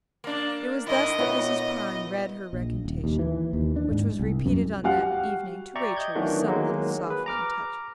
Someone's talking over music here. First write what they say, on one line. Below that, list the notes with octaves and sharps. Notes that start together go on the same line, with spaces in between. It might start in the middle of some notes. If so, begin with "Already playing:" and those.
It was thus that Mrs. Prime read her recantation, which was repeated on that evening to Rachel with some little softening touches.
A#3 D4
G#2 E4 D#5
A#2 B3 E4 C#5
A#1
D#1
D#2
E3
D#2
D4
G#2
C2
F#2
G3 F#4 F5 F#5
D5 E5 G5 A#5 C#6
D#5 G6 G#6
D#3 E3 F#3 A3 B3 D4
D#3 F#3 G#3 A#3 D#4
G#4 B4
A#5 D6 F6